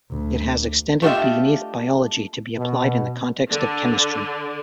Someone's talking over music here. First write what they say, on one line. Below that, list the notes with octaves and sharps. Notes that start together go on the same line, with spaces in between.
It has extended beneath biology to be applied in the context of chemistry.
D2
A3 D4 F4 G4 D#5 E5
B2
D3